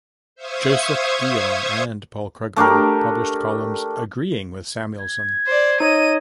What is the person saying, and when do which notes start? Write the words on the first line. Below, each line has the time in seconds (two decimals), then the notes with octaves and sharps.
Joseph Dionne and Paul Krugman published columns agreeing with Samuelson.
0.36 C5 E5 F5 C#6 D#6 G#6
2.56 A3 D4 G4 A#4
5.00 G#6
5.46 C5 D5
5.80 D#4 C#5 D#5 D#7